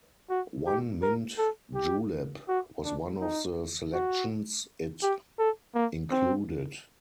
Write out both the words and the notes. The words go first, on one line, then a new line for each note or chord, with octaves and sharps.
"One Mint Julep" was one of the selections it included.
F#4
G4
A#4
A4
G4
F#4
D4
D#4
F#4
G4
A4
A#3
C4